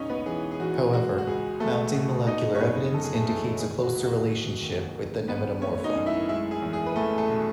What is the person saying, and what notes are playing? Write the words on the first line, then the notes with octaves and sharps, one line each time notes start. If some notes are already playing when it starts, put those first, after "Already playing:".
However, mounting molecular evidence indicates a closer relationship with the nematomorpha.
Already playing: E1 C#3 C#4 D#4 C#5 D#5
B3 B4
E3 G#4
G#4
E2 F#4
G#3 F#4
F#4
C#2 G#4
A3 B3 A4
B2
B3 D#4 D#5
C#5
F#2 B3 B4
F#2 A4
G#4
A3 A4
E3 A3 A4
D#3 G#4
F#4
E1
F#4
E1
D#2
D#3
G#1 B3 B4
A3 C#4 C#5
D#4 D#5
F#2
E4 E5
G#3 E4 E5
G#4
E2
G#4
B4
E2 A3 A4
A3 A4
B2